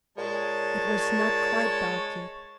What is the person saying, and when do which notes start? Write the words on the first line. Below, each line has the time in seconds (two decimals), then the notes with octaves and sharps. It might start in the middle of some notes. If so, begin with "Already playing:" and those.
It was not quite dark yet.
0.18 A#2 G#3 C#5 A5